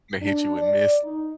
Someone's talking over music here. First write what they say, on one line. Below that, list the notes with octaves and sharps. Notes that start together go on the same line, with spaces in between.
They hit you and miss.
D4
D5
D#4